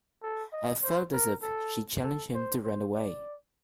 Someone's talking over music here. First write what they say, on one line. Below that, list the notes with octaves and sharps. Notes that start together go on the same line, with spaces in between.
I felt as if she challenged him to run away.
A4
D#5
C5
A#4
A4
A4
C5
C5
D5